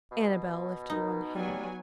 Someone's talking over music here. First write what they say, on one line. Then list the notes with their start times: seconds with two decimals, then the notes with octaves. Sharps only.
Annabel lifted one hand.
0.12 B2
0.90 D#4 A#4
1.35 F#3 G3 B3 F#4 G#5